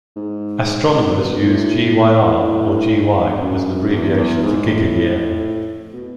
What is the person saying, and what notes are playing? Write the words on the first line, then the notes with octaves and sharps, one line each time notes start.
Astronomers use Gyr or Gy as an abbreviation for gigayear.
G#2
G#2
B2
A2
A2
F#2
E2
E2
G#2
A2
B2